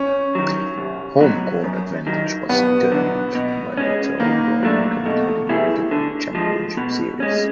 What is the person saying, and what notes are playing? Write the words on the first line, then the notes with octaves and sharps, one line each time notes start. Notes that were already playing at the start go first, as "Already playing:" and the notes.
Home court advantage was determined by better overall record heading into the championship series.
Already playing: C#4
D#3 F#3
C2
B2 F#3
F#2
D#3 F#3
G2 B3
D3 F#3
B2
G#3 C#4
D#3 A#3
F#3 A3 D4
B2 A3
G3 B3 E4 G#4
D3
F3 G#3
B2
G#3 C#4